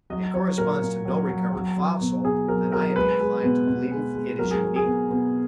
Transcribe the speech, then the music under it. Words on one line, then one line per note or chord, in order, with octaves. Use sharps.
It corresponds to no recovered fossil, and I am inclined to believe it is unique.
F#3 D#5
F#3 C#5
A#2 A#4
A#2
F#3
F#3
F#3
F#3
B2
B2 G#4
F#3 A#4
F#3 A#4
G#3 B4
G#3
B2
B2
G#3
G#3
F#3 A#4
G#4
F#3
G#4
B2
B2